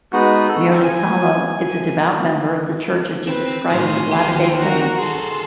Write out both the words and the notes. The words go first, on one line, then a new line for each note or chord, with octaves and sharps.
Mulitalo is a devout member of The Church of Jesus Christ of Latter-day Saints.
G#3 B3 D#4 F#4
A4
C4
G#5
C4 B4
A2 D#3 G#4 C6
D#3 G4
F#4 A#4
G#4 A4 C6